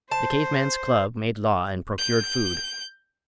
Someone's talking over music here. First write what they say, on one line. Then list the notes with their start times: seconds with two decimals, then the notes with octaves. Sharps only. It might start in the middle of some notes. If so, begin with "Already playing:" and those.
The cave man's club made law and procured food.
0.12 C5 A5
1.98 G6